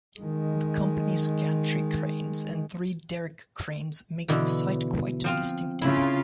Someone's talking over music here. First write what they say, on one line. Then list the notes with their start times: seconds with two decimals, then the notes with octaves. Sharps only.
The company's gantry cranes and three Derrick cranes make the site quite distinctive.
0.20 D#3 G#3
4.28 B2 D3 E3
5.24 F3 C4 F4
5.82 C#3 E4 F4